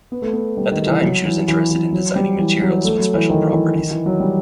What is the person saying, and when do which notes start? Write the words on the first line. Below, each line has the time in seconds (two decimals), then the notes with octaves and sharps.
At the time she was interested in designing materials with special properties.
0.12 B3
0.22 A3
0.33 B3
0.57 G3
0.71 D#3
0.87 E3
1.02 F#3
1.25 E3
1.48 E3
1.71 E3
1.92 F#3
2.16 G3
2.39 E3
2.62 F#3
2.85 A3
2.99 F#3
3.14 E3
3.30 D#3
3.53 E3
3.76 D#3
3.91 E3
4.06 F#3
4.20 G3